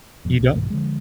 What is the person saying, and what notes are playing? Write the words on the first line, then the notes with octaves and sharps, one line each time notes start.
You don't
F1 F2 A#2
B1
A#1 G2 B2 D#3
D3 D#3 F3 G#3